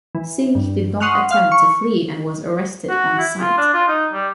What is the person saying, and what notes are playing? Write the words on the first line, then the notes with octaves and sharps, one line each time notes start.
Singh did not attempt to flee and was arrested on site.
E3
G2
F#5 C6 C#6 D#6 F6 F#6
F5 F6
C#6
F#4
E4
F4
D4
F4
D#4
G3